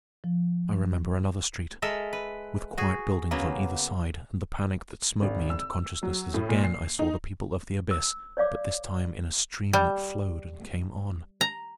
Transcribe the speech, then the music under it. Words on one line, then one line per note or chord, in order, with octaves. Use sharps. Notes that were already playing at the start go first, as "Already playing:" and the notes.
I remember another street, with quiet buildings on either side, and the panic that smote me into consciousness as again I saw the people of the abyss, but this time in a stream that flowed and came on.
F3
G#3 A4 A#4 E5
B4
F#4 G#4
C#3 F#3 A#3 B3
G#1
E6
F#3
A2
A#2
C7
D#4
E6
C#5 D5 F5 D6
G3
A#5